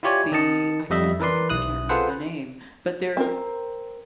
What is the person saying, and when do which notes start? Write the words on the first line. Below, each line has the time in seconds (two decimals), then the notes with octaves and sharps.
the I can't think. I can't remember the name. But they're
0.03 E4 F4 G4 C#5 D5 G#5
0.32 D#3 D#5 A5 C#7
0.90 F2 G3 D#5 E5
1.20 E3 A#4 B4 D5 C6
1.50 B1 E4 D#6 F#6
1.89 F4 G#4 A4 B4 C5 F#5
3.17 C4 A#4